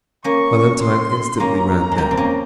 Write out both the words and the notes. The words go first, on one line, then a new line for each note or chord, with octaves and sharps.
Valentine instantly ran down.
A#3 C#4 C#6
C6
A#3 C#4 A#5
G#3
G3 A#3
C4
A#3 C#4